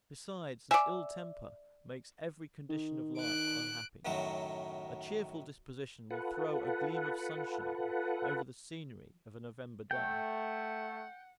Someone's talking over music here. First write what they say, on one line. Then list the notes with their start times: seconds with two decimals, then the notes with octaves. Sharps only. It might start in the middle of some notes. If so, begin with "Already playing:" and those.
Besides, an ill temper makes every condition of life unhappy; a cheerful disposition will throw a gleam of sunshine over the scenery of a November day.
0.71 D5 E5 G#5
2.70 D#3
3.18 F#6 D7
4.05 F#2 A2 D#3 F#3 F#4
6.11 F4 A4 B4 F#5
9.91 A3 F#5 G5